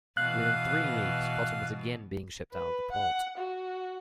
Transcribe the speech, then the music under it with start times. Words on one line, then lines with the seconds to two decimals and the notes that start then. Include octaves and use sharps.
Within three weeks, cotton was again being shipped out of the port.
0.17 B2 E3 F5 F#6
2.52 B4
2.92 F#5
3.37 F#4